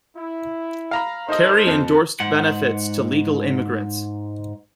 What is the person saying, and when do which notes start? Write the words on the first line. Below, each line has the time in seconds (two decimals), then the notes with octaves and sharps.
Kerry endorsed benefits to legal immigrants.
0.16 E4
0.91 F5 A#5 B5
1.29 D#4 A4 A#4 C5 D#5
1.67 F2
2.20 G#2 F#5